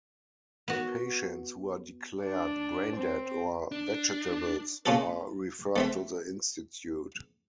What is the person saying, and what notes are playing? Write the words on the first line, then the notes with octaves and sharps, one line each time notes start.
Patients who are declared brain dead or "vegetables" are referred to the institute.
B3 F#4
D4
C4
D4
A#3 C#4 F4 G#4 A4
A3 C4 E5